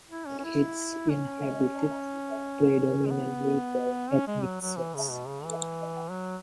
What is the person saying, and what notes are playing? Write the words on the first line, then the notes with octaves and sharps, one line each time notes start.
It is inhabited predominantly by ethnic Serbs.
E4
C#4
C#4
E4
C#4
G#3
B3
C#4
G#3
F#3
F#3
E3
C#3
B2
C#3
E3
F#3